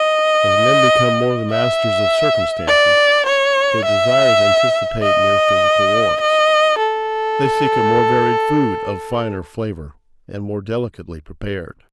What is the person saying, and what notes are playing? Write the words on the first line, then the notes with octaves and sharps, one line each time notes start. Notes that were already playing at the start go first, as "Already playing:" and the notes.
As men become more the masters of circumstances, their desires anticipate mere physical wants; they seek a more varied food of finer flavor and more delicately prepared.
Already playing: D#5
E5
D5
C#5
E5
D#5
D#5
A4